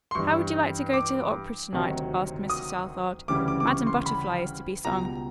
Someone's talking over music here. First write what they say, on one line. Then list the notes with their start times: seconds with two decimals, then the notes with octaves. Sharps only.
"How would you like to go to the opera to-night?" asked Mr. Southard. "'Madame Butterfly' is to be sung."
0.11 C6
0.15 G2 E3 G3 C#6
0.93 D6
1.72 D2 C3 D#3 F#3
2.50 D#6
3.28 D2 C#3 E3 G3 D6
3.48 D6
3.60 D6
3.67 C#6
3.87 C6
4.06 B5
4.85 C#2 B2 G3 A#5